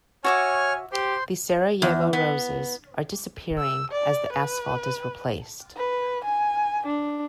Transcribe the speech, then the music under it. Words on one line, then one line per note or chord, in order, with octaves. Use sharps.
The Sarajevo roses are disappearing as the asphalt is replaced.
F#4 C#5 E5 G#5 D6 F6
G4 C5 C6
E2
B3
E6
D5
B4
B4
G#5
D4